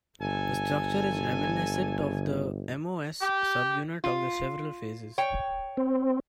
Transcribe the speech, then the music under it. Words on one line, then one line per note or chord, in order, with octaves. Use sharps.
The structure is reminiscent of the MoS subunit of the Chevrel phases.
G1 A4 G#5
G4
F4
C#5 G5
C4